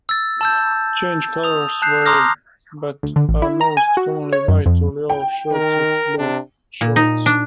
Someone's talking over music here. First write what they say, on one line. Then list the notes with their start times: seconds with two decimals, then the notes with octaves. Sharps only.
Change colours vary, but are most commonly white or yellow shirts with blue shorts.
0.09 E6 A6
0.41 A5 E6 G6
1.44 D#6 F7
1.82 A5 F#6 G6 C7
2.05 A#5 C6 D6 D#6 F6 A#6
3.03 D2
3.16 D3
3.29 A1
3.42 E4
3.61 A#5
3.77 G#5
3.97 F#4
4.33 C#5
4.48 F#2
4.66 F2
5.10 G5
5.52 D#3 A#4
6.18 C3 D4
6.81 A#2
6.96 D#4
7.26 D4